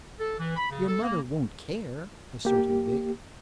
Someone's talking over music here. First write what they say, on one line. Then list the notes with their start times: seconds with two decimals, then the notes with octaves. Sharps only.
"Your mother won't care," asserted Vic.
0.19 A4
0.38 E3
0.56 B5
0.71 C#3
0.87 A4
1.02 A#3
2.45 A#3 G4